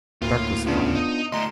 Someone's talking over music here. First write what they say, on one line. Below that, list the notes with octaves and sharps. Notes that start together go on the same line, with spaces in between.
Dark was falling.
D2 A2 A#3 F4
C#3 B3 D4 F4
D#4 D#5
D2 A2 D#5 A#5 C6